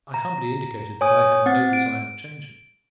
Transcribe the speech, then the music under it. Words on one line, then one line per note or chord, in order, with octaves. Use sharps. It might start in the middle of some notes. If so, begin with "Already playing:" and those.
I humbly indicated that I had no design of changing.
A#5
C#5 G#5 D#6
C4 F#5 A6
D7